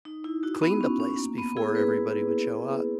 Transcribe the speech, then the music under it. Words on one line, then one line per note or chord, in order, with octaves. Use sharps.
clean the place before everybody would show up.
D#4
E4
D#4 F#4
B3
C#4
C#4
A#3
B3
E4 G#4
G#4 B4